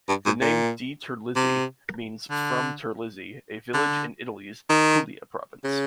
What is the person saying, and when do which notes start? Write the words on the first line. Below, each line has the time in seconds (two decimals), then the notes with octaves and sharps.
The name DiTerlizzi means "from Terlizzi", a village in Italy's Pulia province.
0.09 G2
0.26 G#2
0.41 A#2
1.36 C3
2.31 D3
3.74 D3
4.70 D#3
5.64 C#3